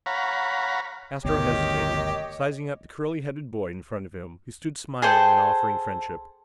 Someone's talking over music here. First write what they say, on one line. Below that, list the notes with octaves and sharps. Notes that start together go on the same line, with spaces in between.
Astro hesitated, sizing up the curly-headed boy in front of him, who stood smiling and offering friendship.
C#5 F5 F#5 A#5 B5
G1 D2 B2 D#3 G4 C#5 D#5
G#4 A4 C5 G5